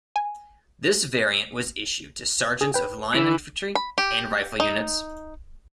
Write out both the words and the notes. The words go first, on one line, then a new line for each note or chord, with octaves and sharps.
This variant was issued to sergeants of line infantry and rifle units.
G#5
G#4
B4 G5
E3
B5
G4
D#4